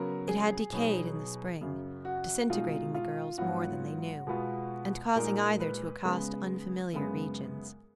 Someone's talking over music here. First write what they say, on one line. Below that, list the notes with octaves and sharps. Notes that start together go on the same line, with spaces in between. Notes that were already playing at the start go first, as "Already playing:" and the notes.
It had decayed in the spring, disintegrating the girls more than they knew, and causing either to accost unfamiliar regions.
Already playing: C#3 F#3 B3 A#4
G#4
B2 F#3 B3 D#4
F#2 C#3 F#3
F#4
B2 G#3 D#4 F4
F4
G#2 F#3 B3 F4 F#4
B2 G#3 B3 F4
A#2 G#3 D#4 A#4
B4
C#3 G#3 B3
F#2 C#3 G#3 B3